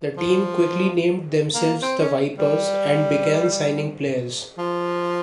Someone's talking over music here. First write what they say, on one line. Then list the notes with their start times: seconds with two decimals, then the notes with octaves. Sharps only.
The team quickly named themselves the Vipers, and began signing players.
0.17 F3
1.54 A#3
1.82 C4
2.01 C#4
2.38 G3
4.58 F3